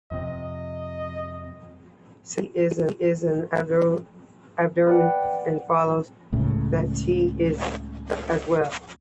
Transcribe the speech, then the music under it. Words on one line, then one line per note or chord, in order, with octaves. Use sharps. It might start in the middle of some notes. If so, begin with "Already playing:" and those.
Since C is abelian, it follows that T is as well.
F2 C3 D#5
B4 D5 F#5 G5
C#2 A2 C#3